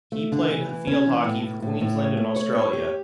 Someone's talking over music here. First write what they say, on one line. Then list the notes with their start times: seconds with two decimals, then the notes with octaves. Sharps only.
He played field hockey for Queensland and Australia.
0.12 A3
0.32 D3
0.50 E3
0.69 E3
0.87 C#4
1.06 E3
1.24 A2
1.43 A2
1.62 A2
1.81 A2
1.98 C#5
2.17 A3
2.36 C#5
2.55 C#5
2.73 G4